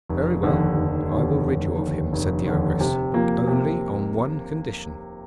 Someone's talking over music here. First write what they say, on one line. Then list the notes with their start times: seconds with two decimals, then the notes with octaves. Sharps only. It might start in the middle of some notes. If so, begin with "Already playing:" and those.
'Very well, I will rid you of him,' said the ogress, 'but only on one condition.
0.09 F1
0.43 D#2 D3
0.77 F1
1.10 D#2 D3
1.45 F1
1.78 D#2 D3
2.13 F1
2.46 D#2 D3
2.80 C3
3.14 F3 A#3
3.48 C3